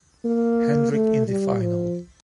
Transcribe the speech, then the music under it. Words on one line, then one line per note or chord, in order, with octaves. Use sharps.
Hendrick in the final.
A#3
A3
G3
F3